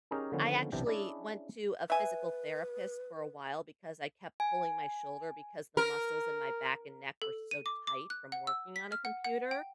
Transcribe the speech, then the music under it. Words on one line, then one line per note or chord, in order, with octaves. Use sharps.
I actually went to a physical therapist for a while because I kept pulling my shoulder because the muscles in my back and neck were so tight from working on a computer,
C#4 D#4 G4 G#4 A#4
D3 D#3 F3 B3 C#4
B1 C3 E3 D4 D5 G5
C#4 D4 E4 G#4 D5 D#5
B4 E5 G#5
G#5
A#4
A4
D#7
D6
D6
F#6
F#5
E6
B6
F6
F#5
F#5
G5